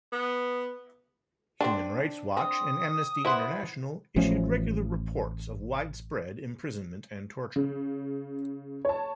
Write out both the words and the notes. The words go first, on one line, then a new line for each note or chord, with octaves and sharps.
Human Rights Watch and Amnesty International issued regular reports of widespread imprisonment and torture.
B3
C4 D4 G#5 A5
C4 D#6
E4 B4 C5 F#5
A1 F3 A3 C#4
C#3
C#5 A5